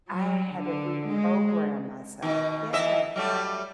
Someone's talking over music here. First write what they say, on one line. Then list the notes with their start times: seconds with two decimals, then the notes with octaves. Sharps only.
I had to reprogram myself Yeah,
0.11 F#3
0.52 D3
1.12 G#3
2.22 B2 D#3
2.73 E3 D#5 E5
3.16 F#3 G3 A3